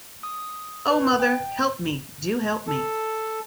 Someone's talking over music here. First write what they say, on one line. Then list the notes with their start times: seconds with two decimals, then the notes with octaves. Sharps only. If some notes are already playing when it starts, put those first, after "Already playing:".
O mother, help me, do help me!
0.23 D#6
0.90 B4
1.20 G5
2.68 A4